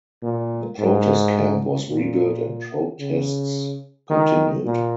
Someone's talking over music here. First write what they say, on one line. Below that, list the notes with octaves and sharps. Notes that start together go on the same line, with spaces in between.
The protest camp was rebuilt and protests continued.
A#2
G#2
A#2
C#3
D#3
A#2